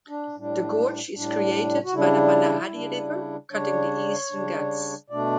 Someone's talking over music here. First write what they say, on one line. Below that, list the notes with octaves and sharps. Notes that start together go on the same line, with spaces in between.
The gorge is created by the Mahanadi river cutting the eastern Ghats.
D4
A2 G3 D4
A2 G3 D4
F#4
C#3 G3 D4 E4
C#3 G3 D4
C#3 G3 D4 C#5
C#3 G3 D4
B2 A3 D4 D5